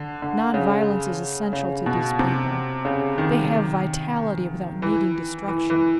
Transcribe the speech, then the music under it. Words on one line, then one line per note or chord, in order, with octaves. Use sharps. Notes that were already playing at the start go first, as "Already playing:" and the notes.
Nonviolence is essential to these people--they have vitality without needing destruction.
Already playing: D3
D3
C#3
C#3
B2
C3
C#3
D#3
E3
E3
E3